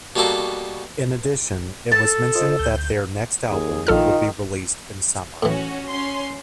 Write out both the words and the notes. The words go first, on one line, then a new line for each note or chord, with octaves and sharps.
In addition, it was mentioned that their next album would be released in summer.
B2 G3 A#3 F#4 A4 D6
A4 A5
F4 C5 D#5
D2 G6
D#2 G#4
A#1 D#3 F4 A4 F6
A2 E3 C#4 F#4
C#4 C6